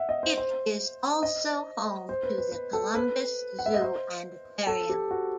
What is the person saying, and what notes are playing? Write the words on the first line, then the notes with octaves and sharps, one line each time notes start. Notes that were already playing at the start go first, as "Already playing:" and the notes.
It is also home to the Columbus Zoo and Aquarium.
Already playing: E5 F#5
D#5
C5
C5
D#5
C5
B4
B4
B4
A4
B4
F#5
E5
D#5
C5
A4
G4
F#4